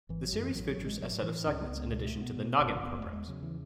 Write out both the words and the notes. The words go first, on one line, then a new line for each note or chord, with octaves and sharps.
The series features a set of segments in addition to the "Noggin" programs.
G#1 E3
F#3
F#2
E3
A1 F#3
F#3
A1
G#3
A2 F#3
A2 E3
C#2 C#4
B3
C#2
B3
B2 A3
A3
B2
B3
B2
F#1
F#1 B3
A3
E2
G#3
C#3 F#3
E3